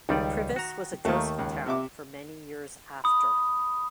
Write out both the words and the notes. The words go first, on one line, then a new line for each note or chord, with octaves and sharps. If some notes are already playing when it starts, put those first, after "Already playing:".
Privas was a ghost town for many years after.
C#2 D#3 G3 D5
F#4 A#5
D#2 D#3 A3 A#3
C#2
C3 E5 D6
B5 D#6